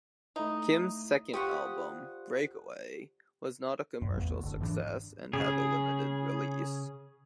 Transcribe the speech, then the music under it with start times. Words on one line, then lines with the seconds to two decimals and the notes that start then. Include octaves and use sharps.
Kim's second album, "Breakaway", was not a commercial success and had a limited release.
0.36 A3 D#4 E4
1.34 G3 F4 G4 C5 F#5 C#6 D#6
4.02 F#2
4.14 A1 E2 B3
4.30 D2
4.43 F#1 D3
4.60 G#2 E3 G#3 D4
5.33 C#3 G#4